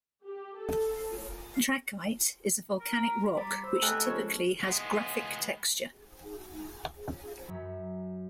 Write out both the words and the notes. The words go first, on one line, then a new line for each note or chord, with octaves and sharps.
Trachyte is a volcanic rock which typically has graphic texture.
G4
A4
A#4
A#5
G3 B5 D6 A6
C5 E6
A3 G4 A4 D#5 F#5 G#5 F6 F#6
F3 G#3 C#4 C#5
G#3 B3
F#2 F#3 B5